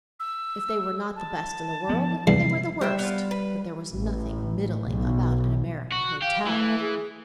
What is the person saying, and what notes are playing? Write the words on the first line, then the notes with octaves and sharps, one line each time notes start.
If they were not the best in the world they were the worst, but there was nothing middling about an American hotel.
E6
A5
F3 B3
E2 G2 C3 F3 G#3 C7
G3 C5 E5 G5
B3 F4
B4
A1
B1
F#4
G4 F5
E3 A3
G#4